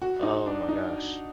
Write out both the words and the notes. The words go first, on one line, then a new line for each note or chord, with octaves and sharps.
Oh my gosh.
F#4
D#4
D4
D#4